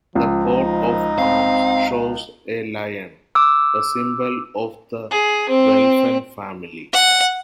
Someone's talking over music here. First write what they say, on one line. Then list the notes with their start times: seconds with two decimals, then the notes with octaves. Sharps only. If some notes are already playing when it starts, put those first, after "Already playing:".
The coat of arms show a Lion, the symbol of the Welfen family.
0.15 C#2 F3
0.45 D#4
1.18 C4 F5
3.35 D6 E6
5.10 G#4
5.49 C4
6.93 F#5